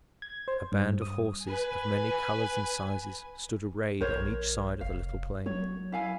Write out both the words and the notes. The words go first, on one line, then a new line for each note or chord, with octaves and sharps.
A band of horses of many colors and sizes stood arrayed on each side of the little plain.
G#6
C5
G2
D#6
B4 G#5
A#1 A#4 C5 C#5
F1 F5
F#3 C#5
E4 F5 G#5